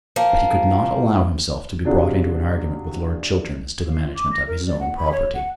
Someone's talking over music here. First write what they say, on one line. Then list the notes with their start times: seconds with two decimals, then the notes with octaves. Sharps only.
But he could not allow himself to be brought into an argument with Lord Chiltern as to the management of his own property.
0.16 F3 A#3
1.85 C3 D4 F4 F#4 G#4
3.88 F5
4.02 F4
4.15 D6
4.32 A#6
4.47 A#4
4.66 D5
4.79 F#5
4.96 B5
5.11 C#5
5.33 F#5